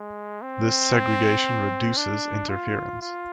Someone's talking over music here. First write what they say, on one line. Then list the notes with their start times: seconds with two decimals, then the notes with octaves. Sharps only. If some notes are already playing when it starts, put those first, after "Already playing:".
This segregation reduces interference.
Already playing: G#3
0.43 C4
1.97 D4
2.49 F4
3.01 F4